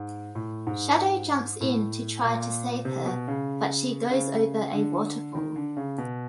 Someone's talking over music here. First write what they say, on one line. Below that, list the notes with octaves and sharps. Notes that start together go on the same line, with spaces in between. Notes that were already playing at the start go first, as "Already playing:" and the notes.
Shadow jumps in to try to save her, but she goes over a waterfall.
Already playing: G#2
A2
G#2
A2
A#2
C3
B2
C#3
C#3
D3
D#3
D3
C#3
B2